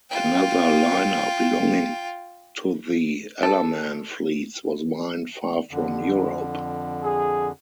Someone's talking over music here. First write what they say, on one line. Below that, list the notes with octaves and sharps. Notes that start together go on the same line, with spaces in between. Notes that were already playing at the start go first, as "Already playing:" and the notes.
Another liner belonging to the Ellerman fleets was mined far from Europe.
F4 G5
A4
F2 D3
G#4